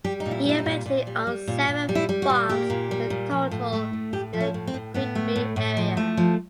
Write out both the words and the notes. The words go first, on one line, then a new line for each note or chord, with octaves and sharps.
He eventually owned seven farms in total in the Kwekwe area.
G3 G4
D#4
A#2
E4
G3 E4
D#4
A#2
A#2
G3
G3
A#2
A#2
G3
E4
G3
F#4
A#2
A#3 G4
A#2
G3
A#2
F3
A2
A3
A2
A2 G4
F3
C#4
A2
C4
A2
A2 B3
A3
A2
A2
F3
A3
F3